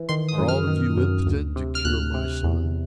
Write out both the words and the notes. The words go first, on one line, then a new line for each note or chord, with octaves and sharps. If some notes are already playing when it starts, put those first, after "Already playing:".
Are all of you impotent to cure my son?
Already playing: E3
D#3 C6
D#6
F#2
F6
D#3
F#2
D2
C3
F6
D2 F#6
C3
E2